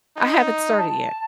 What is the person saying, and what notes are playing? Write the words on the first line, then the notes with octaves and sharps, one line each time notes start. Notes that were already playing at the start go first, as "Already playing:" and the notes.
I haven't started yet.
D#4
A5